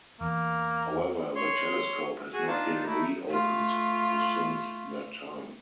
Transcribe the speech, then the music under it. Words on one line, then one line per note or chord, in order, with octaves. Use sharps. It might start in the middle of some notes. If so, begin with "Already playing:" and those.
However the telescope has not been reopened since that time.
E2 A#3
C#5 C6
F#4 G#4 G#5
D4 D#4 F4 A5
A3 D#4 E4
A3 F4